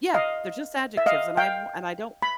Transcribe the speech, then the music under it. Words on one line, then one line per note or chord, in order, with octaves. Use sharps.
Yeah. They're just adjectives, and I wa and I don't
D#5 F5
E5
D#5 F5
F5 G5
B5